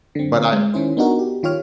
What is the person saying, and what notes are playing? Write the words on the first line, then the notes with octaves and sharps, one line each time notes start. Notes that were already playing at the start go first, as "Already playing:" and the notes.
But I
D3 C4
G#3
D#3 C#4 E4 C5
B3 D4 D#4 F#4 A#4
G4
D#3 F4 G4 C#5 F6